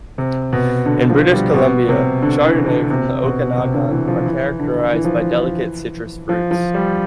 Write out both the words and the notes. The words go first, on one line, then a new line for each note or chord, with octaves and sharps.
In British Columbia, Chardonnay from the Okanagan are characterized by delicate citrus fruits.
C3
B2
D3
F3
G3
B2
C3
D3
E3
D3
C3
B2
C3
D3
E3
F3
E3
D3
E3
F3
E3
F3
F3
G3